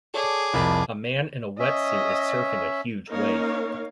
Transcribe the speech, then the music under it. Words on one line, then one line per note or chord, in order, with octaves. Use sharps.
A man in a wetsuit is surfing a huge wave.
G#4 A4 C#5 D5 D6
C2 F2 A#3 E4 A5 B5
C#4 D#5 E5
A#3 C#4 D#4 A#4 C#5 F5